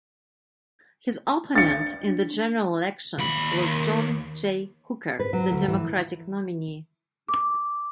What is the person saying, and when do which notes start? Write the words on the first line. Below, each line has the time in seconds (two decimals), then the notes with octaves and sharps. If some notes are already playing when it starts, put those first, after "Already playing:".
His opponent in the general election was John Jay Hooker, the Democratic nominee.
1.55 D4 A6 C#7
3.18 D#2 B5
5.20 B4
5.33 F#3
5.51 D2
5.68 E3
7.28 D6